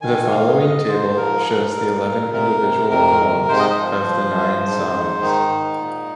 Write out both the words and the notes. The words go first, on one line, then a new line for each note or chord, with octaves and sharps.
The following table shows the eleven individual poems of the "Nine Songs".
D#3 G#5
G#2 F5
G#2 D#5
G#2 C5
F3 A#4
A#2
A#2
A#2
C3 A#4
C3
F2 A#4
C3
G#2 C5
D#5
C5
F3
F3
F3
G#2
G#2
D#3 D#4
G#2
A#2